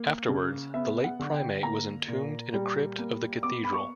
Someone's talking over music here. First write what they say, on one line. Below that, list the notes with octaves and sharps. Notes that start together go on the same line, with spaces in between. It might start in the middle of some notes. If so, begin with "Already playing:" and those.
Afterwards, the late primate was entombed in a crypt of the Cathedral.
Already playing: A#3
C#3
B3 E5
F#5
D3
G5
A#3 A#5
A#2
G3
A#3
B3 D6
B5
C#6